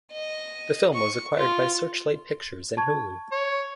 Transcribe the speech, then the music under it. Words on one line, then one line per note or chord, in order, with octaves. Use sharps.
The film was acquired by Searchlight Pictures and Hulu.
D#5
C#6
F4
A5 C#6 G#6
C#5